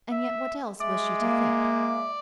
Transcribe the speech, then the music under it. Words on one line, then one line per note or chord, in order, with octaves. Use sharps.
And yet what else was she to think?
E5
G#3 D5 E5
A#3